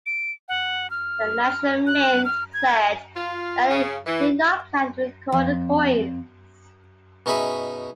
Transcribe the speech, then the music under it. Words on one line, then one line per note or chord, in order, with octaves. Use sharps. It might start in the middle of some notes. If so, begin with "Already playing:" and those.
The national mint said that it did not plan to recall the coins.
D7
F#5
F6
F#6
F6
G#6
F4
C#3
E3
F2
B2 C#4 D#4 G#4 E5 B5